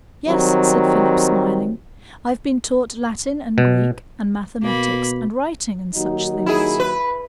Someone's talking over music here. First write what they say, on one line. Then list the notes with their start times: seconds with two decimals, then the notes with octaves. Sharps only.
"Yes," said Philip, smiling; "I've been taught Latin and Greek and mathematics, and writing and such things."
0.28 D#3 F#3 G3 C4
3.58 B2
4.62 B2 A#3 B5
5.95 D#2 F#3 D#4
6.46 E4 G#4
6.80 B4